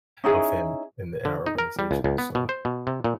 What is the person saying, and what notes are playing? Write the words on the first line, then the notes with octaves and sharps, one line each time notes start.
of him in the in our organization, so
C#4 D#4 E4 G#4
D3
D#4
A#4
G3
C#2
C#2
B3
B2
C5
B2
C3
A#2